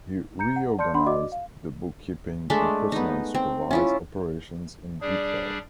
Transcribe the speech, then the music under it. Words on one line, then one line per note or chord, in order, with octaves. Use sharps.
He reorganized the bookkeeping and personally supervised operations in detail.
A#5 G6 C#7
F#5
D5 A5 C6 F6 G6 C#7
D4 F#5 B5 C6
F#4 D5 D#5 D6
F5
G#3 A3 D4 E5
B3 D#4
C4
C#4 E4 F4
G3 D4 G#4 D5